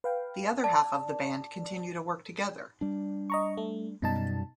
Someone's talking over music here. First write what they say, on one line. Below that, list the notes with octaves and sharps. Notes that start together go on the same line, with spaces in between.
The other half of the band continue to work together.
B4 F5 G5
D5 A5
G3 D4
D#5 A#5 C#6
A3
F#2 B2 G3 B3 D#4 A5